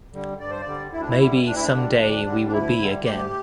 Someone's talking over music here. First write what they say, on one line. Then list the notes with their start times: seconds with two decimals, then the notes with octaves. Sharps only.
Maybe someday we will be again.
0.13 D3 G3
0.40 G2 D5
0.51 C5
0.61 D5
0.66 D3 G3
0.93 D2 E4
1.01 D4
1.10 E4
1.19 D3 G3
1.46 D2 D4
1.55 E4
1.64 D4
1.73 D3 G3
2.00 D2 D4
2.26 D3 G3
2.48 D4
2.53 D2 E4
2.80 D3 G3
3.06 D2 G4